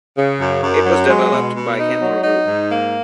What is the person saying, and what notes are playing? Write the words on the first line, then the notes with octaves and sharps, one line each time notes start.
It was developed by Kenmore Group.
C#3
F#2
F#2
F#3
G#3
B2
B2
D#4
F#3
D#4
G#2
A#3